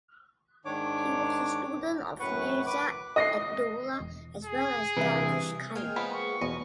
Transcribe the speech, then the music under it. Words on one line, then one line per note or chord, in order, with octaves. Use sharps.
He was a student of Mirza Abdollah as well as Darvish Khan.
G#2 D#3 D4 C#5 D6
F#2 A2 B4 F#5 C#6
B4 D6
D#5 A#6 C7
E1
G#4
C3 E3 G3 E4 B4
G#3 A#3 G#4 G5 F6
B3 C4 F4
C#6
E2 B2 C#5 D#5